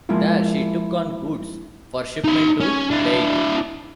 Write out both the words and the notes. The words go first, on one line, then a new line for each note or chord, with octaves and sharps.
There, she took on goods for shipment to Leyte.
F3 G#3 A#3 E4 F4
D#4 E5
C#4
D4 E4